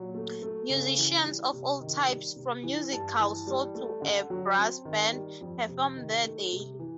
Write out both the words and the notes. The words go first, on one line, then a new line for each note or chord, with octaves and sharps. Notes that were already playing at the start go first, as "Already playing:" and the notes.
Musicians of all types, from musical saw to a brass band, perform there daily.
Already playing: A#2 F#3
A3
A3
C#3
E3
G3
C3
D#3
G3
C3
E3
G2 A5
E3
G3
A3
D3
F#3
C4
D#3
G3
F2
C3
D#3
A3
C3
E3